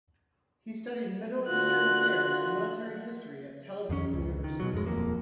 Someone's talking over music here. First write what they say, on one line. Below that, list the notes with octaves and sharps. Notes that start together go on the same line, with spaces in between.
He studied Middle Eastern affairs and military history at Tel Aviv University.
D3 F4 F#4 F#6
F2 D#3 C#4
C#2
D#3
B2 F#3
F2 A2 G#3
D#1 F2 A#3